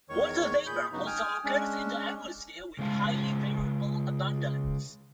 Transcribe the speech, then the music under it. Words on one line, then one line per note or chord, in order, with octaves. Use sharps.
Water vapor also occurs in the atmosphere with highly variable abundance.
E2 D#3 C#5 C#6
A#2 G#4 B5 G6
G2 C#3 F#3 B3 D#4 F#4
G5 G#5 D#6 F6
G#3 C#4 D4
C#3 G#3 F5 A5